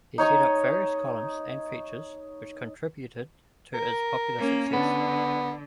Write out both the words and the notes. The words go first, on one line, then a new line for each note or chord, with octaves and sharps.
He set up various columns and features, which contributed to its popular success.
D#4 C#5 D#5 C#6
A#4
A#3 C#4
D3 B3